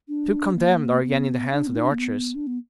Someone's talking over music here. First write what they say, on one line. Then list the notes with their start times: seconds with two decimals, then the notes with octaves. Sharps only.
The two condemned are again in the hands of the archers.
0.08 D4
0.56 A#3
1.04 B3
1.51 D4
1.67 B3
1.75 D#4
1.83 D4
1.91 A#3
1.99 B3
2.35 D4
2.47 B3